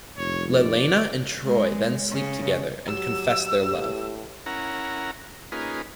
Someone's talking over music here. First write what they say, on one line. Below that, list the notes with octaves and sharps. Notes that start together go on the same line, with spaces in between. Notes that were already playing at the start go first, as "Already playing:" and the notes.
Lelaina and Troy then sleep together and confess their love.
F1 C#5
D5
G#3
C#3
F#3 G4 E6
A2
C#4 E4 A#4 F#5 A#5
A#3 C#4 D#4 F4 G#4 B4